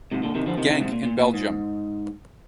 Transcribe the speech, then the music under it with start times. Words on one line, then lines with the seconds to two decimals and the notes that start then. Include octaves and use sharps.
Genk in Belgium.
0.11 G#2 C3
0.23 A#2 D3
0.35 C3 D#3
0.46 D3 F3
0.58 C3 D#3
0.69 C3 D#3
0.81 G#2 C3
0.92 A#2
1.03 A#2
1.19 A#2
1.34 G#2